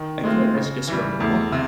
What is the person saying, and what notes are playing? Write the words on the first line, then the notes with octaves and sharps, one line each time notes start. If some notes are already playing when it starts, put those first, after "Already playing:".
I feel like that's just around the corner.
Already playing: D#3
G#3 A3 C4 F4
C#3
E3 G3
E2 A3
C3